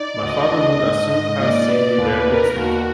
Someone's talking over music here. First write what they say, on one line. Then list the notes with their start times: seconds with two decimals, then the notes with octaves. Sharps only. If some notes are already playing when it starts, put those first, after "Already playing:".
My father would as soon have seen me wear lipstick.
Already playing: D#4 D5
0.22 D2 D#5
0.52 D4
0.81 G#2
1.10 G#2
1.39 A#2 D5
1.69 B3
1.98 D#2 B4
2.27 B3 A#4
2.56 D#2 F#4